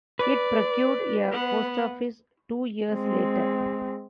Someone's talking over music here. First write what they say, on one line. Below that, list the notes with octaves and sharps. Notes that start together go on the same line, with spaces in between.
It procured a post office two years later.
B4 D5
B3 F#5
G#3 C4